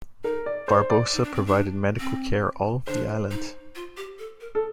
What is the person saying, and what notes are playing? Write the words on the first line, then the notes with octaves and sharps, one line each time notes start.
Barbosa provided medical care all over the island.
D#4 A#4
D5
D#4 C5
D5
D#4
D4
C4
D4
C4
D4 C5
D#4
F4
G4
A4
A#4
A4